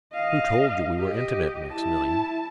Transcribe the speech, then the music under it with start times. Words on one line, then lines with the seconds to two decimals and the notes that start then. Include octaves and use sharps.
"Who told you we were intimate, Maximilian?"
0.13 D#5 F5
0.99 G4 D#5
1.72 E4 A5